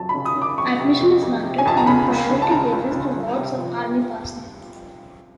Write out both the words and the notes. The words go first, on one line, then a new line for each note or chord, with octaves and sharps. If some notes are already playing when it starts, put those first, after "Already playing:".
Admission is granted on a priority basis to wards of Army personnel.
Already playing: F2 F#3 A5
B5
C#3
D#6
C#3
D6
F2 C#6
C3
F2
F2
C3
G#5
F2 A5
A#5
C#3 B5
C#2
C#3
A5
C#3 A#5
C#2
C#3
G1
C3
F3